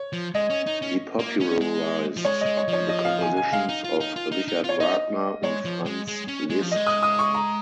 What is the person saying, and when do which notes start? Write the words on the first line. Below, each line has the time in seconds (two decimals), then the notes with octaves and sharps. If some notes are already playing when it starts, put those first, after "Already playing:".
He popularised the compositions of Richard Wagner and Franz Liszt.
Already playing: C#5
0.13 F3
0.35 G#3 D#5
0.50 C#4
0.67 D#4
0.82 C#4
1.19 A#3
1.41 C#4
1.61 G#3
2.17 F3
2.25 G#3 C#5
2.41 G#3 D#5
2.57 C#5
2.68 F3
2.73 C#5
2.89 D#5
3.05 F5
3.21 G#5
3.37 G#5
3.53 G#3 F5
3.69 D#4
3.84 F4
4.00 D#4
4.16 F4
4.32 D#4
4.48 D#4
4.64 F4 C#5
4.80 D#4 D#5
5.43 G#3 C#5
5.65 F3
5.86 G#3
6.08 G#3
6.28 C#4
6.50 G#3
6.62 F3
6.71 G#3 D#5
6.87 D#6
7.03 D#6
7.19 C#6
7.34 A#5